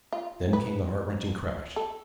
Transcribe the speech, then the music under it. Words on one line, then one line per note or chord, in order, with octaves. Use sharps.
Then came the heart-rending crash.
F4
B4
A4